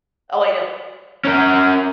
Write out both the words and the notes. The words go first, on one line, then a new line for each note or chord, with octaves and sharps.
Oh, I know.
C#4 A#4